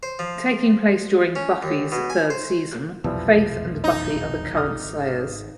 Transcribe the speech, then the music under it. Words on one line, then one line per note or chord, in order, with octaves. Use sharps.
Taking place during "Buffy"'s third season, Faith and Buffy are the current Slayers.
C5
F3
C#4
D#2
B2
G#5
C5
F1 B1 E2 E3 F3 G3
G#1 D#4
D6 D#6 F6